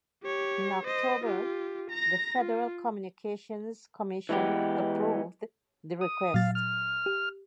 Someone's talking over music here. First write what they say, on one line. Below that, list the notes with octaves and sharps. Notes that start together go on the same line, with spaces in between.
In October, the Federal Communications Commission approved the request.
G4 C#5
C5 D#5
F4 G4
A#5 A#6
F4
E3 G#3 B3 G4
D#6
A#2 F#3 F5 A6
F6
G4